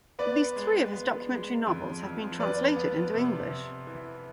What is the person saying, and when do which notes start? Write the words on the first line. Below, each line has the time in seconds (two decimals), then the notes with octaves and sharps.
At least three of his documentary novels have been translated into English.
0.19 B3 B4 D5
0.56 G#3
0.93 B3
1.30 G#3
1.67 F2
2.03 F2
2.40 F2 B4 D5
2.76 B3
3.14 C3
3.50 C3
3.87 E3